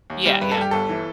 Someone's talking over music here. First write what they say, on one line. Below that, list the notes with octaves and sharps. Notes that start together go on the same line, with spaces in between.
Yeah, yeah.
D#2
G3
G2 B4
A4
G3 G4
G1 A4
E3